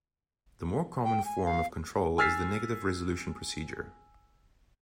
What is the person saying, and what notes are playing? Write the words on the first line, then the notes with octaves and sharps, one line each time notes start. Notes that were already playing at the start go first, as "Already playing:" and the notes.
The more common form of control is the negative resolution procedure.
G5
G#5
F5
G#5 E6 F6 A6 B6 C7